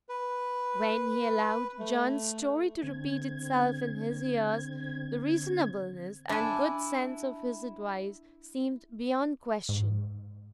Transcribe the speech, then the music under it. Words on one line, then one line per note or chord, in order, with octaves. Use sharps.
When he allowed John's story to repeat itself in his ears, the reasonableness and good sense of his advice seemed beyond question.
B4
A3
D3 C4 G#6
D4 E4 G#5
G#2